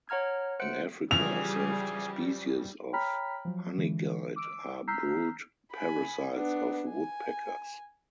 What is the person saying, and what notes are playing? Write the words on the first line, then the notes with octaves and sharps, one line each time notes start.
In Africa, several species of honeyguide are brood parasites of woodpeckers.
C#5 F#5 A#5 F6 G#6
C5 E5 F#5 F#6 C#7 D7
C#3 E3 F3 G3 G#4 F7
C#5 G5 A#5 B5 F6 B6
F3 F#3
D3 E3 G#3
D6 E6 D7
A#5 E6 F6 G6 B6 C7
G#5 B5
B3 D4
G#5